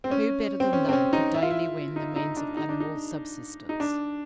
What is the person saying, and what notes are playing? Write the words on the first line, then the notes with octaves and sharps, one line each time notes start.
Who better than they could daily win the means of animal subsistence?
C4
C#4
C4
C#4
C4
C#4
D#4
E4
F4
E4
D#4
D#4
D4
D#4
D4
D#4
D#4
D4